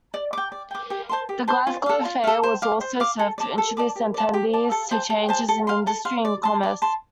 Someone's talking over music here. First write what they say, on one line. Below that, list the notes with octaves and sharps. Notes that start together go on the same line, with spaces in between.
The Glasgow Fair also served to introduce attendees to changes in industry and commerce.
D5
G5 D6
D5
G5 D6
G4
C5 A5 C6
G4
C5 A5 C6
F4
A4 F5
F4
A4 F5
C5
F5 D6
C5
F5 D6
A4
D5 A5 D6
A4
D5 A5 D6
G4
D5 A5
G4
D5 A5
A4
C5 A5
A4
C5 A5
A4
F5 C6
A4
F5 C6
D5
A5 C6
D5
A5 C6